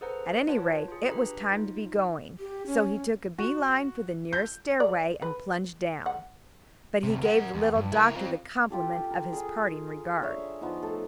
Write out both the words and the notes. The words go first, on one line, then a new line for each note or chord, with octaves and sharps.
At any rate, it was time to be going, so he took a bee-line for the nearest stairway and plunged down. But he gave the little doctor the compliment of his parting regard.
G#4 A4 B4 C5 F#5 A#5
F4 B4 C#5 F#5 A5
F4 G#4
D4 G4 B4 A#5 B5
D#4 F4
G4
C#4
F#4
G6
D5
B4
F#5
D2 C3
A#4 F#5
E2
G2
E4 A#4
C4 F4
F4 G4 A4
A#4
G#4 G#5
D4 C#5 E5 F5
F3 B3 D#4
A3 A4